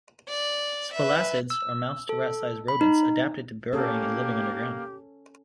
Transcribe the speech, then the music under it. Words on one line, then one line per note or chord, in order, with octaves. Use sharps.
Spalacids are mouse- to rat-sized rodents, adapted to burrowing and living underground.
D5
B4 E5
E6
A4
B5
D#4
A#3 C#4 G4 A4